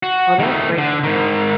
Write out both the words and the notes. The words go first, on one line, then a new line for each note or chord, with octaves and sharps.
Well that's great to know.
F#4
D#3 A3
D3
G#2 D#3